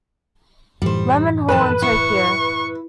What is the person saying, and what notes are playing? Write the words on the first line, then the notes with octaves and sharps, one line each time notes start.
Lemon Hall in Tokyo.
F#2 A2 E3 G3 C5
F2 D#3 B4 A5
E4 C#6